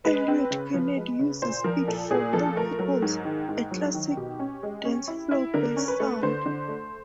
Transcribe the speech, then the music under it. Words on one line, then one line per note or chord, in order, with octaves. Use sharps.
Eliot Kennedy uses it for one purpose, a "classic dancefloor bass sound.".
G#3 B4
C4
C#3
F3
G#3
C#3
A#2 C5
F3 A#4
A#2 A4
A#2 G#4
F3 A4
A3 A#4
F#3 A#4
G#2
D#3
G#2
F#3
D#3
B2 G4
C#4
G#3
C#4
E4
E4
D3 A#4
C#4
B4
A3
D3 C5
D3
A3